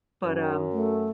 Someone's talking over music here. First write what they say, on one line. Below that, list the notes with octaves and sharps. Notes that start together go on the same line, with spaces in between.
But, um,
F#2
A3